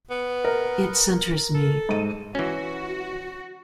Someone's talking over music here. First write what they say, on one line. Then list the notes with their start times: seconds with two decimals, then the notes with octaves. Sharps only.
It centers me.
0.11 B3
0.45 A#4
1.55 A4
1.89 G#2 D#7
2.35 E3 C#4 F#4